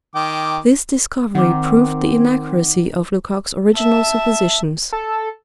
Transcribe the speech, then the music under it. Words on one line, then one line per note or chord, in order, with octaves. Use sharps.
This discovery proved the inaccuracy of Lecoq's original suppositions.
D#3 G5 D6
D#3 C4 F#5 D6
E5 A5
A4